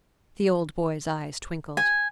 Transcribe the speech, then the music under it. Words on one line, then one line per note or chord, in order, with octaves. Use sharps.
The old boy's eyes twinkled.
G#5